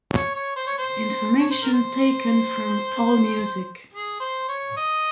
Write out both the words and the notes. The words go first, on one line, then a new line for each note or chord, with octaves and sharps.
Information taken from Allmusic.
C#5
C#5
C5
C#5
C5
C#5
C5
A#4
C5
G#4
C5
C#5
D#5